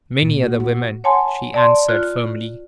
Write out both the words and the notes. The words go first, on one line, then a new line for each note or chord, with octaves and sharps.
"Many other women," she answered, firmly.
A#2
F#4
F#4
C#5 F#5 G#5 A5 C6
D5 A5 C6
F4 F#6